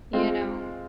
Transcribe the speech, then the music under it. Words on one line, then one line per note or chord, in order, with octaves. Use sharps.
You know?
G#3 C4 F4